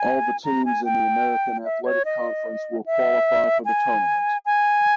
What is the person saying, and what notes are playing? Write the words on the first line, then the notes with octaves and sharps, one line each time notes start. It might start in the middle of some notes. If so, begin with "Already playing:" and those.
All the teams in the American Athletic Conference will qualify for the tournament.
Already playing: G#5
A#5
G#5
G5
E5
C#5
D#5
E5
G#5
G#5